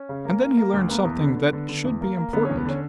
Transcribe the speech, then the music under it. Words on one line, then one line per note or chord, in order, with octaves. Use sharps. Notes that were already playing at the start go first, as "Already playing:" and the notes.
And then he learned something that should be important.
Already playing: C#4
C#3
A#3
A#3
A#3
D2
A#3 B3
E2
D3
D3
D3
D3
E2
A#3
A#3
D3 B3
C#4
E2
B3
D3 C#4